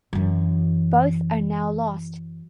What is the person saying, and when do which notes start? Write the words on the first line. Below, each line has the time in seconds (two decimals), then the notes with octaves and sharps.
Both are now lost.
0.13 F#2 E3